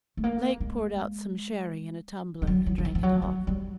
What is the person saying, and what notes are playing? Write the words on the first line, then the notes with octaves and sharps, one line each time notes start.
Lake poured out some sherry in a tumbler, and drank it off.
A3
A#3
G#3
F3
F#3
F#3
E3
F3
F3
F#3
F#3
G3